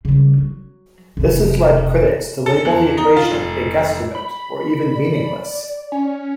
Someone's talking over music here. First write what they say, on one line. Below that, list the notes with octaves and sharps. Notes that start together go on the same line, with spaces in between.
This has led critics to label the equation a guesstimate, or even meaningless.
C#3 G3
F#3
F1 C3
A4
E2
D#4
F4
F1
B5
D5
C#4